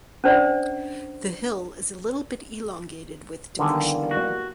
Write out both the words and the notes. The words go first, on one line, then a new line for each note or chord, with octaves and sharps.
The hill is little bit elongated with depression.
C#4 D4 C5 D5
E2 D3 D#3 G3 A#3 G#5
F#4